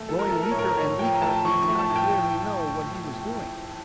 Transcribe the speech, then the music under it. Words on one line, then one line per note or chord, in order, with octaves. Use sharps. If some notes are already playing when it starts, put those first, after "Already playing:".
Growing weaker and weaker, he did not clearly know what he was doing.
Already playing: A3
F3 A4
A#4
A3 A4
A#4
C#5
A2 A#4
A2 C#5
F3 G5
A#5
A3 A5
F3 C#6
C#6
A3
A5
A2
G5